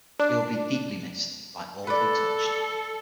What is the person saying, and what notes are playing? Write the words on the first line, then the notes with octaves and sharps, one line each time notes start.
He will be deeply missed by all he touched.
D4
A4 B4 D5